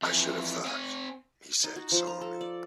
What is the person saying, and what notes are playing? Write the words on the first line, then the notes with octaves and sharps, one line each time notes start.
"I should have thought," he said solemnly.
F2 E3
C4 G#5
D#4
F#4
F3
A#5
A4
D5